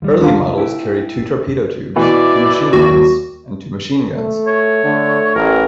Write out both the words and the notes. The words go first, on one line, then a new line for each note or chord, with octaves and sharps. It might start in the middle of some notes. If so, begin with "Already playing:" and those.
Early models carried two torpedo tubes, two machine guns and two machine guns.
D#2 G3
D4 F4
C#2
E4 G4
B2 E3 E4 D5
D#2 F#4
A3
C#5
D3 A3
A1 A#4